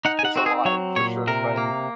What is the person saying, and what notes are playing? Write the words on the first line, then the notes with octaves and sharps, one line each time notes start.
it's a lot, for sure, but
D#4 F#5
G#5
F#5
C4 F#4
G#4
F#3 C#5
A#2 C#5
C3 A#4
A#3